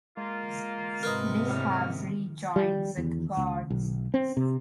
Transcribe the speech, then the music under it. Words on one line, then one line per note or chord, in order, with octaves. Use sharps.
They have rejoined with God.
G#3 A#3 F4
G#2 C3 A#4 B4 D#5
A2 G3 F6
G3
E2
C#2
B1
C4
C3